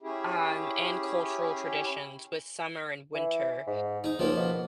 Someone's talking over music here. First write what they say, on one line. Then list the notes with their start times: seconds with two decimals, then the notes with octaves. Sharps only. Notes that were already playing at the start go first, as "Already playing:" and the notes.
um, and cultural traditions with summer and winter.
0.02 C#4 E4 G4 G#4
3.14 E3
3.67 G#2
4.04 D#4
4.19 C#2 F3 A#3
4.37 B2